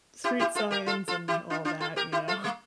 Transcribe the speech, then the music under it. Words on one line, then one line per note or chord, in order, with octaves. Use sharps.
street signs and all that, you know.
E4 G4
E4 G4
F4 A4
G4 A#4
F4 A4
F4 A4
E4 G4
D4 F4
D4 F4
F4 A4
G4 A#4
E4 G4
F4 A4
G3 A#3